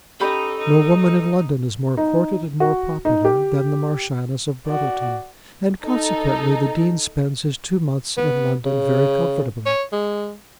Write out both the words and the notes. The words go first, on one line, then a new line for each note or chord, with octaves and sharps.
No woman in London is more courted and more popular than the Marchioness of Brotherton, and consequently the Dean spends his two months in London very comfortably.
C#4 D#4 G4 A4 B5
D#4
D#4
F#4
D#4
G4
F#4 D5
D#4 A4
B3
C#3
C#5
G#3